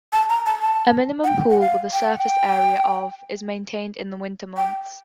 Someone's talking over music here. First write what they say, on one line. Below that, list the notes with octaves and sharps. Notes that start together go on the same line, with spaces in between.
A minimum pool with a surface area of is maintained in the winter months.
A5
A#5
A5
A5
F#5
G5
F#5
F5
G5
F#5
G5
G5